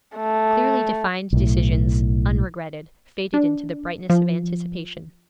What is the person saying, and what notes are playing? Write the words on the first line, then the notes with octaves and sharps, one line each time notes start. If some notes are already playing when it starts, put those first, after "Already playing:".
Clearly defined decisions, unregretted, faded into the brightness of anticipation.
A3
B1 A2
D4
F3